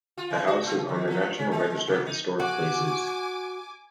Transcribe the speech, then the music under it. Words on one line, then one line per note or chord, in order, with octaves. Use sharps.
The house is on the National Register of Historic Places.
F4
E3
F#4
A#2
D#3
F3
C#4
G#3
B2
D#4
F#4 G#5 D6